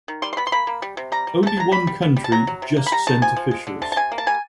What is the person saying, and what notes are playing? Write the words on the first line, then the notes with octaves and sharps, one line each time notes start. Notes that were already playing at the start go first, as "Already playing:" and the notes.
Only one country just sent officials.
D#3
G3 C6
C6
B3 B5
C6
A#3 B5
A#3
G3
C3
G3 A#5
G3
A3
A5
F#3 A#5
G3 B5
G3
B3
G3
A5
F#3 A#5
F#3
C3
A#3
B5
G3 A#5
D#3 A5
F3 G#5
F3
G#3
D3
C3 A5
A5
C3 G#5
A#3
A5
G3 G#5